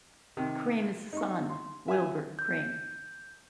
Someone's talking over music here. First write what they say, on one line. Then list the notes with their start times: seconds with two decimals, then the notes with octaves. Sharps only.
Cream's son, Wilbur Cream.
0.37 C3 D#3
1.13 D#4 C#6
1.49 C6
1.88 E5 G#5
2.39 G6